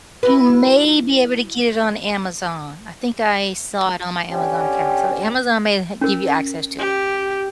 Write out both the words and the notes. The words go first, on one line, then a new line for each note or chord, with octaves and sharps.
You may be able to get it on Amazon. I think I saw it on my Amazon account. So Amazon may ha give you access to it.
E4 F#4 B4
D3 C#4 G4
C#4 A#4
G4